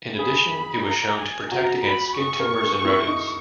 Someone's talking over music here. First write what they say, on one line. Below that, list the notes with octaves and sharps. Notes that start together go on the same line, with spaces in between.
In addition, it was shown to protect against skin tumors in rodents.
G#4 B5
A#5
G#5
F#4 A#5
B5
G#4 C#6
A#4
G#4
E4
D#4